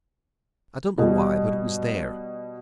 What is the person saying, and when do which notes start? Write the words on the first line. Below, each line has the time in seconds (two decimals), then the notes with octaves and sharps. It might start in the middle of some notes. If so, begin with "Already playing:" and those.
I don't know why, but it was there.
0.98 B2 G3